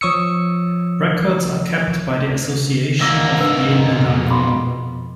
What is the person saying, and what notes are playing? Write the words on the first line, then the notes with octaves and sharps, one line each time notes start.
Records are kept by the Association of Yale Alumni.
F3 C#5 C#6 D#6 E6 C#7
G#2 A#3 D6 E6 A#6
D4 B4 E6
F2 B2
B5 C6 D6